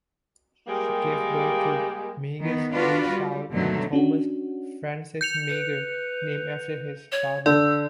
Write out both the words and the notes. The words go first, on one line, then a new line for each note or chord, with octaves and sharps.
She gave birth to Meagher's only child: Thomas Francis Meagher, named after his father.
G3 G#3 A#3 G4 A#4
D#3 B3
D4 F4 F#4 B4 D5
G3
G2 B2 D3 D#3 F#3 A3
C#4 D4 F#4
G6 C#7 F7
B4
C#5
D3 D5 E6